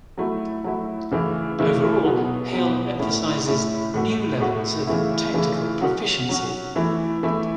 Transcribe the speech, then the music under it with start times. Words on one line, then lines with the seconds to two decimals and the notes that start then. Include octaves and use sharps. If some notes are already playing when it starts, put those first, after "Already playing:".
Overall, Hale emphasizes new levels of tactical proficiency.
0.18 F#3 A3 E4
0.64 F#3 A3 E4
1.11 C#3 E3 A3 E4
1.59 C#3 E3 A3 E4
2.05 B2 F#3 B3
2.53 B2 F#3 B3
2.99 A2 A3 C#4 E4
3.46 A2 A3 C#4 E4
3.94 A2 A3 F#4
4.40 A2 A3 F#4
4.87 C#3 E3 A3 E4
5.34 C#3 E3 A3 E4
5.81 F#3 C#4 F#4
6.29 F#3 C#4 F#4
6.75 E3 A3 E4
7.23 E3 A3 E4